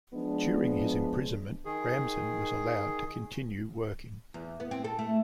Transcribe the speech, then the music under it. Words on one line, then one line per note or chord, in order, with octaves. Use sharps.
During his imprisonment, Ramzin was allowed to continue working.
F3 G#3 B3 D4
D#3 G#4
E2
B3
C4
A4
A3